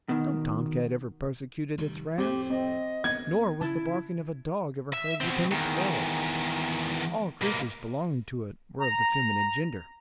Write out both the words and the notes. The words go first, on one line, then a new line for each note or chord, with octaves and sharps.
No tom-cat ever persecuted its rats, nor was the barking of a dog ever heard within its walls; all creatures belonging to it were of the feminine gender.
B2 D#3
F1 D#3 G3
F2 A2 C4 G4
C4 D#5
D2 B3 G#6
C#3 E4 A5
E5
B2 C4
E2 D#3
B2 A#3
A#5